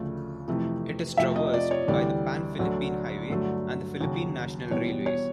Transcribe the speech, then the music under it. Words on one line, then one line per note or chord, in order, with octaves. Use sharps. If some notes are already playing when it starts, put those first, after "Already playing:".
It is traversed by the Pan Philippine Highway and the Philippine National Railways.
Already playing: D2 C#3 F3 A3
F2 C3 E3 A3
F2 C3 F3 A3 E5
D#5
D5
C#5
D2 C3 E3 G3 D5
D2 D3 F#3 A3
G2 D3 F#3 A3
D#2 C#3 F#3
E2 B2 G3 C#5
C#5